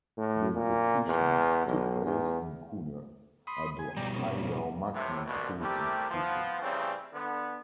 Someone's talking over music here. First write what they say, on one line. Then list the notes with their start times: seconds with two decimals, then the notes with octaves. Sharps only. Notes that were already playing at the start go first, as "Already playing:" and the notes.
The executions took place in Kuna at the Idaho Maximum Security Institution.
0.17 A2
0.54 A#2
1.07 E2
1.66 B1
2.05 E2
3.47 B5 C6 D#6
3.79 G#5
3.97 B2 G3 D5 G5 A#5
4.16 C3 A#3 C#4
4.94 A2 C3 E3
5.26 C2 B2
5.60 C3 G3 A3 E4 G4 A#4
6.10 F3 B3
6.61 C#3 E3 G3 A3 C4 C#4
7.14 D3 B3